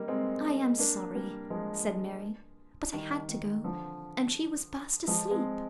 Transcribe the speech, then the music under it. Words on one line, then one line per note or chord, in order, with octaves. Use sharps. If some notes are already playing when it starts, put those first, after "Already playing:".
"I am sorry," said Mary; "but I had to go, and she was fast asleep."
Already playing: G3 A#3 D#4
G#3 C4
A#3 D4
G3 A#3
F3 G#3
D#3 G3
D#3
D3 F3
F3 G#3
G#3 C4